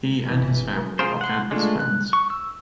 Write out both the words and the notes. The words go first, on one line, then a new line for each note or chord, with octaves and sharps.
He and his family are Panthers fans.
G1 B2 E3
F4 G#4 A#4 C5
F#5 C6
G#3 A3 D4 F4
F#6
C#6
E6